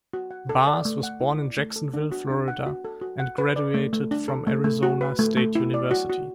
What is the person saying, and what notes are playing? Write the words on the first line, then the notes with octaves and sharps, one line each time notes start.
Barrs was born in Jacksonville, Florida and graduated from Arizona State University.
F#4
F#5
A4
D5
A3
F#5
E4
D5
A3
A4
D4
F#4
D4
F#5
F#4
A4
F#4
F#5
B4
D5
A3
A3
D4
A4
A3
A3
F#4
B4
A3
A3
E4
D5
F#4
F#4